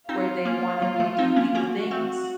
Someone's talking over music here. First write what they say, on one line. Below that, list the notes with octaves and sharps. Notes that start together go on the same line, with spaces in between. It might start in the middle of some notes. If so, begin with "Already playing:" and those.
where they wanted me to do illegal things.
C4 D#4 F4
A#3 C#4
F#3 A#3
F3 A3
C4 D#4
A#3 C#4
A#3 C#4 F#4
A3 C4